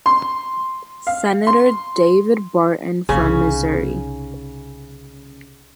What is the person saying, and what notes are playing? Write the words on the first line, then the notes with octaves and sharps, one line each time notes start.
Senator David Barton from Missouri.
C6
F5
C6
C2 C#3 C#4 D#4